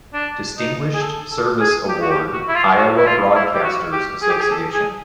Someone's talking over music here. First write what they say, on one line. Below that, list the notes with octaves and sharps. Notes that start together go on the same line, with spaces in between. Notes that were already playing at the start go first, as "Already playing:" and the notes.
Distinguished Service Award, Iowa Broadcasters Association.
D4
D#4
G#4
A4
A4
G#4
G4
F#4
G4
F#4
E4
F4
F#4
E4
F4
E4
G4
F#4
G4
G#4
G4
G#4
A4
G#4